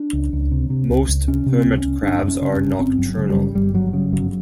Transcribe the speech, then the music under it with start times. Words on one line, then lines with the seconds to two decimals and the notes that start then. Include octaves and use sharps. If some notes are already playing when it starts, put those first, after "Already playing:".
Most hermit crabs are nocturnal.
Already playing: D4
0.13 C#2
0.33 C#2
0.51 C3
0.70 C3
0.89 C#2
1.08 C#2
1.27 C3 C#4
1.46 C3
1.53 C4
1.65 C#2
1.78 C#4
1.84 C#2
2.03 G1 D4
2.23 F#2
2.28 C#4
2.41 C#3
2.54 C#4
2.61 G1
2.79 G1 C4
2.98 F#2
3.17 C#3
3.30 G3
3.37 G1
3.55 G1 G3
3.74 F#2 F#3
3.93 C#3
4.12 G1 F#3